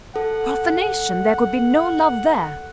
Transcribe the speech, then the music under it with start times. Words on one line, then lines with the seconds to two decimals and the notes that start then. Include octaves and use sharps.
Profanation! There could be no love there.
0.16 A4 F#5